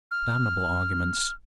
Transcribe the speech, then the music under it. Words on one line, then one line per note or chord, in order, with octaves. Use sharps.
Damnable arguments!
F6